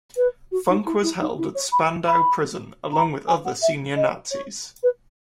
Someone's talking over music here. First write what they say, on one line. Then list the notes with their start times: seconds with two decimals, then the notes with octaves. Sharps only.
Funk was held at Spandau Prison along with other senior Nazis.
0.16 B4
0.51 F#4
0.68 D#4
0.85 E4
1.02 E4
1.20 D#4
1.38 E4
1.55 C#5
1.72 B5
2.07 B5
2.93 A#5
3.27 G#5
3.45 F#5
3.62 E5
3.96 D#5
4.31 C#5
4.83 B4